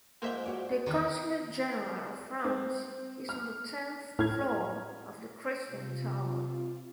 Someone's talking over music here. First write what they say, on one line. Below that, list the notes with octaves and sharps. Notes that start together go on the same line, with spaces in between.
The Consulate-General of France is on the tenth floor of the Crystal Tower.
F2 G#2 A#3 E5 G6
F#4 C#5 D5
E2 D#3 E3 C4 D4 B4
C4
F6
A2 F6 G#6
C3 F4